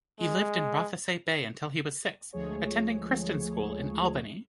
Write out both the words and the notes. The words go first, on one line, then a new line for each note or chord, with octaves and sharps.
He lived in Rothesay Bay until he was six, attending Kristin School in Albany.
G#3
D2 F3 G#3 A3 G#4 C#5